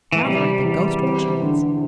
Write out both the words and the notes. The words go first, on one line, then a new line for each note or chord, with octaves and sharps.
Now thur ain't the ghost o' a chance.
E3
C3 G3
E2
C4
D3